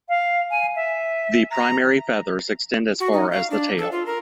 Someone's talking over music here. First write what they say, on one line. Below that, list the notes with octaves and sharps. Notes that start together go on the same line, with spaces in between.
The primary feathers extend as far as the tail.
F5
G#5
E5
A#5
F#4
D#4
F5
D4
A4
F4
A#4